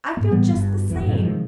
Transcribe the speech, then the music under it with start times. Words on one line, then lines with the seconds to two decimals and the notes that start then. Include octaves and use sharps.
I feel just the same.
0.17 G#2 A#3
0.31 A2 E3 G3 B3
0.56 G1 G2
0.90 D#1 G#1 E2 E3
1.03 F#2 A2 C#3
1.22 C3 D#3 F3 G#3